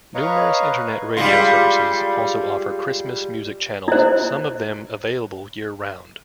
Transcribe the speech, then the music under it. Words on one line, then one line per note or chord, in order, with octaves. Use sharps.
Numerous Internet radio services also offer Christmas music channels, some of them available year-round.
B4 C#5 D#5 F5 A#5 C#6
G3 G#3 F4
E4 C5